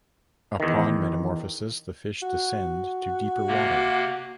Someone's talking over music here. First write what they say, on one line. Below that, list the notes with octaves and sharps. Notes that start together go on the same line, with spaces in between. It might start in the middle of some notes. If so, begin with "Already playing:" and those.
Upon metamorphosis, the fish descend to deeper water.
E2 D#3
F#4
C3 A#3